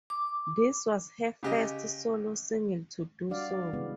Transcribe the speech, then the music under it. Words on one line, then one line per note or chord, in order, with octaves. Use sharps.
This was her first solo single to do so.
D6
C#3 G4 D#5
G3 D4 F#4 D5 F5
C#3 E3 G#3 B3